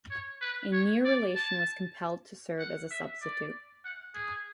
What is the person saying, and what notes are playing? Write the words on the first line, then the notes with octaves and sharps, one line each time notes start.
A near relation was compelled to serve as a substitute.
C#5
B4
C#5
D5
A5
F#5
E5
D5
F#5
G#4